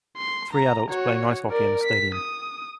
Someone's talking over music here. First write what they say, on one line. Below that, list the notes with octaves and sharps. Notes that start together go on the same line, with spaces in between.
Three adults playing ice hockey in a stadium.
C6
A#5
F#4 C#5
A#4 D5
B6
D#6